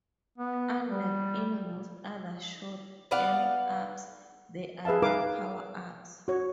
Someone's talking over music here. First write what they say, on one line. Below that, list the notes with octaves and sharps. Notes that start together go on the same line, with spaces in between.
Unlike in most other shoot 'em ups, there are no power-ups.
B3
G3
B3 D5 F5 F#5
G#4 B4 E5 F5 A5
D#4 A#4 B4 F5 G#5 D6
F#4 C#5